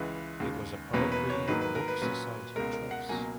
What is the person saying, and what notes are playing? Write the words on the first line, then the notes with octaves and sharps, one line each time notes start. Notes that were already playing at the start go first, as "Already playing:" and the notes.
It was a Poetry Book Society Choice.
Already playing: C#2 C#3 E3 G#3 B4
D#2 C#3 G#3
E2 B2 F#3 A#3 C#4 B4
B4
C#5
G#2 D#3 F#3 A#3 B4
B4
A#4
B4
A#2 F#3 C#4 B4
C#2 B2 G#3 A#4
A#4
F#5
C#2 B2 F#3 A#3 G#5